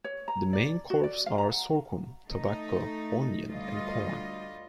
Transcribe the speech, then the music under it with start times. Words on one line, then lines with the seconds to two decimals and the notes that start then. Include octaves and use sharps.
The main crops are sorghum, tobacco, onion and corn.
0.04 C#5
0.28 A#5
0.53 D5
0.90 F#4
1.04 D5
1.26 F5
1.38 A#5
1.51 F#5
2.28 A3 D#4
3.48 D2 G3 F4 D#5